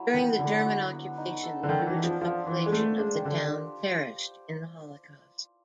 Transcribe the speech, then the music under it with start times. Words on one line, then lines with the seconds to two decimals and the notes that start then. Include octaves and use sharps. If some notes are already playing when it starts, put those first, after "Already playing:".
During the German occupation the Jewish population of the town perished in the Holocaust.
Already playing: F#3 E4
0.14 D#3 B3
0.39 D3 F#3
0.65 F#4
0.91 B3
1.17 D#4
1.43 A4
1.63 D3
1.69 D#3 A4
1.87 E3
1.95 D4
2.04 F3
2.21 F3 F4
2.46 E3 D4
2.66 G#3
2.72 A3 C5
2.98 G#3 D4
3.15 D#3
3.24 D3 G4